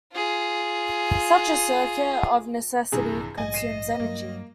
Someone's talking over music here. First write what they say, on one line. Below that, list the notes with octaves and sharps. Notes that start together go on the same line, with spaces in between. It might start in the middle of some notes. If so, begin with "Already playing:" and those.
Such a circuit, of necessity, consumes energy.
F4 G#4
G2 C3 E3 G#4 A#5
A#1
A#1 G#2 G3 D#5 G#5
C7 D#7 E7
G2 F#3 A#3